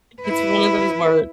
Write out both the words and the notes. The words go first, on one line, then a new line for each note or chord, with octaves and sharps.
It's one of those words.
E4 B4